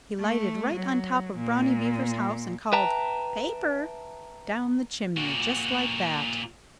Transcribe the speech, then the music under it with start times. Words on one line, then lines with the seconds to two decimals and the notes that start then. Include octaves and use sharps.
He lighted right on top of Brownie Beaver's house and called "Paper!" down the chimney--just like that!
0.20 A3
0.74 F#3
1.36 A#2
2.73 B4 E5 G5 A5 A#5
5.17 A#2 F#4